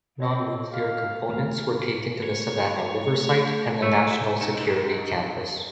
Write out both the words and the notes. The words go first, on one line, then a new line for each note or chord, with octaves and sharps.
Non-nuclear components were taken to the Savannah River Site and the National Security Campus.
C4 C#5 D#5
F5
D#2 A3 B5
A3 C#5
A3 F4 C#5 E6
C#2 D#4 C#7 E7